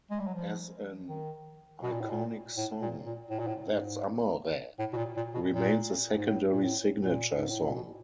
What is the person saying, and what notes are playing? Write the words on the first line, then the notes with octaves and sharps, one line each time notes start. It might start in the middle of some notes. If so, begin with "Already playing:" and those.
As an iconic song, "That's Amore" remains a secondary signature song.
G#3
G3
F#3
F3
D#3
B2
A#2
A2
A#2
A2
A#2
A#2
A2
A#2
A2
G#2
A2
B2
A#2
A#2
B2
A#2
G#2
A2
A#2
A2
A#2
G#2
A2
A#2
B2